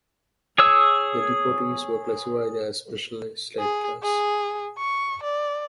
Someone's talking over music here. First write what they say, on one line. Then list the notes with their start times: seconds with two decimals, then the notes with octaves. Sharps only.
The deportees were classified as "special settlers".
0.58 G#4 C#5 E6
3.59 G#4
4.03 G#4
4.78 C#6
5.23 D5